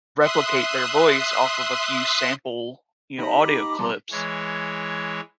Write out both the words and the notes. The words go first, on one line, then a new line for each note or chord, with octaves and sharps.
replicate their voice off of a few sample, you know, audio clips,
E5 C6 D#6 F#6
D#4 G4 D#5 A#5 B5
D6
B2 G3 B3 A5 A#5 C6
E3 G#3 C#5